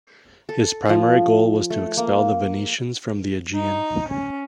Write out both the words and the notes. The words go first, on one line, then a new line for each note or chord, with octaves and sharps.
His primary goal was to expel the Venetians from the Aegean.
A4
F3
A3
A#3
D#4
C#4